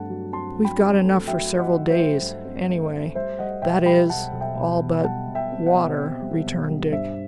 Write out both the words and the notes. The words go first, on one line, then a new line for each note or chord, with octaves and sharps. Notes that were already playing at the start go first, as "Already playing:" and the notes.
"We've got enough for several days, anyway--that is, all but--water," returned Dick.
Already playing: G2 A3 C4 F#5 A5
F#3
C4 A5 C6
F#3
G5 B5
C4
A3
F#3 E5 G5
F#3
D#5 F#5
F#3
C5 E5
A3
G2
C4
A3
A3
G3 C5 E5
G3 D#5 F#5
B1 E5 G5
G3 G5 B5
B1 F#5 A5
B1
E5 G5
B2
B1
G3 F#5 A5
B2
E5 G5
C4
D#5 F#5
B2
C4
G3
B1
G3
G2 C5 E5